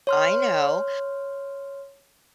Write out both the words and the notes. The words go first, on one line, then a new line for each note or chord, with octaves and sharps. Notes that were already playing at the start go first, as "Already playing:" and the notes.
I know,
C#5 C6 F6